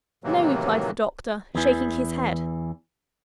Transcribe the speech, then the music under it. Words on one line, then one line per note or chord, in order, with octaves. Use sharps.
'No,' replied the Doctor, shaking his head.
A2 C3 D#3 E3 F#3 A#3
E2 E3